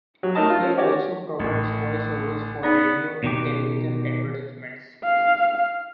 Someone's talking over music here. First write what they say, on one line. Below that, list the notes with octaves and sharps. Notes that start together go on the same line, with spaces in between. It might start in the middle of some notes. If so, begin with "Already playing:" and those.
He also provides voice-overs for radio and television advertisements.
F#3
A3 D#4 A#4 D#5 A5
F4
F3 C#4
F#4 G4 C#5 D5
A1 A2
B3 D#4 D5
B2 D#3 G4
F5